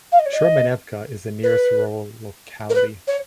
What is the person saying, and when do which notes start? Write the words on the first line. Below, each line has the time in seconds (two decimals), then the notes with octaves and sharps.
Chermenevka is the nearest rural locality.
0.12 F5
0.19 D#5
0.26 C#5
0.33 D#5
1.43 B4
2.69 A#4
2.74 B4
3.07 C#5